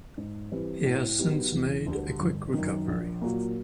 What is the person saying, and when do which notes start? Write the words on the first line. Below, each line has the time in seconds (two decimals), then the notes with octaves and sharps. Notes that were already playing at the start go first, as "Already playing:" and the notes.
He has since made a quick recovery.
0.18 G#2
0.52 E3 G3 C4
0.85 A2
1.19 F#3 B3 D#4 G4
1.52 E1
1.87 D2 D3 G3
2.20 G1
2.54 F#2 D#3
2.88 A#1
3.21 A#2 F#3 A#3